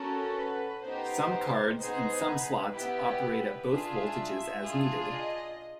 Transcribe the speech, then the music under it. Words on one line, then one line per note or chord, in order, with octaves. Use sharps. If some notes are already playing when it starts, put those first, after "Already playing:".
Some cards and some slots operate at both voltages as needed.
Already playing: C#4 F#4 A4 A#4
B4
B3 D#4 G4 C5
B3 D#4 G#4 C5
B4
B3 E4 G4 B4
D4 F4 G#4 E5
D4 F4 G#4
D#5